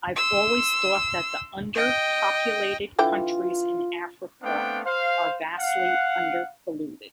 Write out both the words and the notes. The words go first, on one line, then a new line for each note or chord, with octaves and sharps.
I've always thought that under-populated countries in Africa are vastly underpolluted.
C6 E6
D#5 G5
D3 E3 F4 G5
A3 B3 C4 D4 F5 G5
C5 F5
F5 F#5